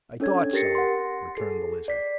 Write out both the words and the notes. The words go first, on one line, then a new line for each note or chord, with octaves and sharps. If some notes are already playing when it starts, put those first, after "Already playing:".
"I thought so," returned the Lizard.
C#4 D4 A4 C#5 G#6
G4 A#4 A6 A#6 C7 C#7
F#5 C6
G#4 A4 C7
D5 B6 C7